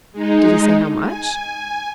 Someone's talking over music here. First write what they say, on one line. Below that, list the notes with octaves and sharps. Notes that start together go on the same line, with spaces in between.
"Did he say how much?"
G#3 D#4
G#5